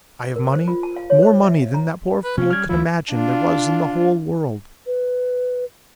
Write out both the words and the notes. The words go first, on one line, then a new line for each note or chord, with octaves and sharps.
I have money, more money than that poor fool could imagine there was in the whole world.
A#4
C5
F4
A5
F5
C#5
C5
E5
F5
A#5
B4
C3 A#3 C#4
G3 F6 G#6
D2 D3 F#3 E4 F4
D4 F4
B4